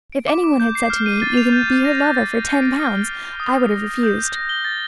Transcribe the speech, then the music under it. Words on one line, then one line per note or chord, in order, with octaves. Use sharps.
If any one had said to me, you can be her lover for ten pounds, I would have refused.
D7
D6
D6
G6
C7
F6
D#7
A6
F7
G6
G6
A#6
F7
A6
A6
C7
D7
F6
G7
A6
F7
D#6
D#6
A#6
F7
G6
G6
A#6
G7
A6